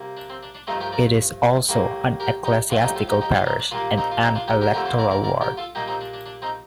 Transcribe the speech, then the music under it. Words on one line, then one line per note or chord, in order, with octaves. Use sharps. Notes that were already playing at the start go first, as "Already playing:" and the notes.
It is also an Ecclesiastical parish and an electoral ward.
Already playing: C3 G3 A#3
D4
C4
D4
D4
G2 F3 A3 C4 D#4
G4 A#4
A#4 D5
A2 G3 A#3
G4 A#4
D#4 G4
A2 F3 A3 D4 F4
D#4 G4
F4 A4
D#4 G4
D#4 G4
D4 F4
C4 D#4
D4
A#2 G3 A#3 D4 F4
C4 D#4
F4
C4 D#4
D4 F4
D#4 G4
G4 A#4
F2 D3 A3 G4 A#4
A4 C5
A#4 D5
A#4 D5
A#4 D5
G4 A#4
F4 A4
A#2 G3 A#3 D#4 G4
C4 D#4
D4
D4
D4
C4 D#4